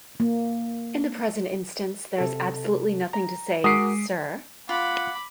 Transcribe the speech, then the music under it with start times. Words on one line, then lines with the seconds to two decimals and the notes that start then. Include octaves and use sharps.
In the present instance, there is absolutely nothing to say 'Sir?'
0.20 A#3
2.18 C3 A4
3.13 A#5
3.64 G#3 F#4 A#4 D6 D#6 B6 C7 D7
4.69 F4 F#5 B5 D6